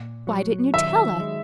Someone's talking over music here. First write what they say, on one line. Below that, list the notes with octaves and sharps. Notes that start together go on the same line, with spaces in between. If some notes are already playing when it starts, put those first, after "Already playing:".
Why didn't you tell us?
Already playing: A#2
F#3
D#3 E5
G#3